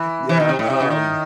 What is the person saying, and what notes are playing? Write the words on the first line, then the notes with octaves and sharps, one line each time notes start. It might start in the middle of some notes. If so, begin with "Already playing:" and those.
yeah, um
Already playing: E3
E3
D#3
C3
A2
C3
C#3
D#3